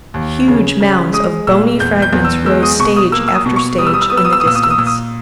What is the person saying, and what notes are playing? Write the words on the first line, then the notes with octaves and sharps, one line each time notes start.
Huge mounds of bony fragments rose stage after stage in the distance.
D#2
C#3
C#3
G#3 D#6
A#2 E6
E2 G6
G6
E2
E6
G#3 E6
D#6
B2 C#6
D#6
A#3 E6
E6
D#6
B2
C#6
G3 D#6
E6
D#6
E6
B3 D#6
E6
D#6
E6
D#6
A#2 E6
D#6
E6
D#6
A#2 E6
D#6